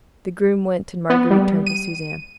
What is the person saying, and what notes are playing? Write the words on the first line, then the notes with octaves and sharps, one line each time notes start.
The groom went, and Marguerite turned to Suzanne.
B3
G3
D#7